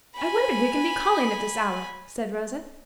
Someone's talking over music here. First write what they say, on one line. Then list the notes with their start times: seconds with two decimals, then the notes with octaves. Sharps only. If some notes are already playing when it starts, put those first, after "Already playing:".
"I wonder who can be calling at this hour," said Rosa.
0.16 G#5 B5